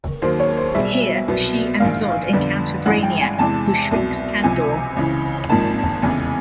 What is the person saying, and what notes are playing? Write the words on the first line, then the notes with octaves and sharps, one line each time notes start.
Here, she and Zod encounter Brainiac, who shrinks Kandor.
D#2 D#3 F#3 A#3 C5
C#5
C5
B1 B2 G3 E5
C2 B2 F#3 B3
A#1 G#2 D#3 F5
F2 D3 G3 B3 D4
A1 G2 E3 G#3 F#5
G5
G#5
E2 C3 E3 G#3 A5
C2 B2 F#3
C#2 C3 F3 G#5
C#2 C#3 E3
G#1 G#2 F3 A#3 D#4 A5
F1 E2 C#3